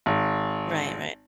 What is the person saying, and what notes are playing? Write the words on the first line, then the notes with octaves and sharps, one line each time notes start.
right, right.
G#1